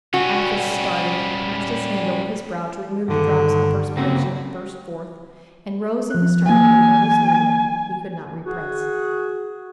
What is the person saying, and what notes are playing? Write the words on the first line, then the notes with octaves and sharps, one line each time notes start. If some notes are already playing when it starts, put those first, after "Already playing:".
Athos started, passed his hand over his brow to remove the drops of perspiration that burst forth, and rose in his turn with a nervous movement he could not repress.
G3 C#4 F#4
G2 D3 D#3
C#3 A#3 C4 F#4
F3 F#6
E3 F#3 A#3 G#5
F#4 G#4